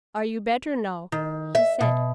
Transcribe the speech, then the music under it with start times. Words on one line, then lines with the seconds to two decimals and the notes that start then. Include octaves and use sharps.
'Are you better now?' he said.
1.12 D#3
1.55 E5
1.81 B2